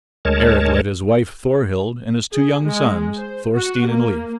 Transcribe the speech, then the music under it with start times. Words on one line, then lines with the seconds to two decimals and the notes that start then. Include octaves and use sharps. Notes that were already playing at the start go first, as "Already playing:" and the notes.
Eric led his wife Thorhild and his two young sons, Thorstein and Leif.
0.25 D2 G#3 A#4 C#5 A5
2.32 G#4
2.63 G#3
3.18 C5
3.53 F#4
3.89 A#3